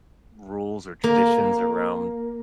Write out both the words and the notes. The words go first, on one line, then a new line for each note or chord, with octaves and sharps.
rules or traditions around
A#3